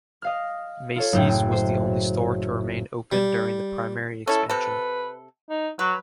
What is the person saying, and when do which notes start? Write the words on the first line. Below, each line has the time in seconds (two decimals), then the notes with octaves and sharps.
Macy's was the only store to remain open during the primary expansion.
0.22 D#5 F5 F6
0.96 F4 A4 C#5
1.13 F#1 F#2 A2 G5 G6
1.52 C5
3.12 G3
4.27 C#4 E4 A4
4.50 C3 A4 B4
5.50 D#4
5.79 F#3 B4